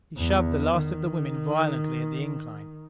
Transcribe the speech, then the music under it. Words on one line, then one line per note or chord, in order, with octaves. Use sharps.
He shoved the last of the women violently at the incline.
E2
D#3